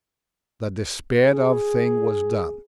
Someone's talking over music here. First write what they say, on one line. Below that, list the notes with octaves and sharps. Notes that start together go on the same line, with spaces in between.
The despaired-of thing was done.
G#4